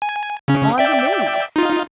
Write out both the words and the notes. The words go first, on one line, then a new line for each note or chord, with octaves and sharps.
on the news.
G#5
C#3 C#4
D5 E5 G5
D#4 F4